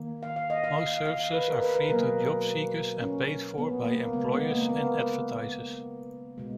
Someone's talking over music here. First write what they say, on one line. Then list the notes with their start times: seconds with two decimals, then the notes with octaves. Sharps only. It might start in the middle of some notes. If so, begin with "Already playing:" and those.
Most services are free to job seekers and paid for by employers and advertisers.
Already playing: D#3 A#3
0.23 F5
0.36 F5
0.50 D#5
0.64 F5
0.78 F5
1.06 F5
1.33 B4
1.48 A#4
1.62 B4
1.75 B4
1.84 G#4
1.89 B2 F#3 A#3 A#4
3.02 C#4
3.58 B3
3.86 A#3
4.13 C#3 G#3 B3
4.32 B3
4.51 A#3
4.62 A#3
4.69 B3
6.38 B2 G#3